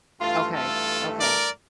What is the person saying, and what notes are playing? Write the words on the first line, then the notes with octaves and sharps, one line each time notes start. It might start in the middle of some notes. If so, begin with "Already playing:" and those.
Okay. Okay.
G2 E3 A3 F4
F4 A4
A#4 D5